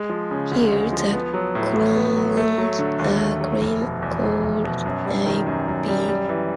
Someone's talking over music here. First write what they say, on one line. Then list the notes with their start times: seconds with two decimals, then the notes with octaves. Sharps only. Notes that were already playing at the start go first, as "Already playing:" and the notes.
Here, the columns are cream colored I-beams.
Already playing: G#3
0.09 F3
0.31 C#3
0.52 D2
0.72 G#3
0.93 F3
1.13 B3
1.34 F#3
1.55 A2
1.75 A1
1.95 B3
2.16 F#3
2.37 A3
2.58 F#3
2.79 D3
2.99 D#2
3.20 A3
3.40 F#3
3.61 F1
3.81 B2
4.02 E2
4.23 F1
4.43 F1
4.64 B2
4.86 F#2
5.05 G3
5.26 D#3
5.47 F#2
5.68 F#2
5.88 G3
6.09 G3
6.29 E3